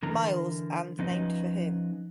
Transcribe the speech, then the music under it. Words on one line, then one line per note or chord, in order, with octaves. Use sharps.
Miles, and named for him.
D3 E3 A#4 A#5
F3 C#4 D#4 B4 D#5